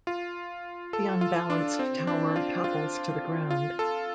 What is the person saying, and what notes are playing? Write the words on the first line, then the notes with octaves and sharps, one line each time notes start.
The unbalanced tower topples to the ground.
F4
A4
F4
D4
C4
D4
F4
F4
F4
A4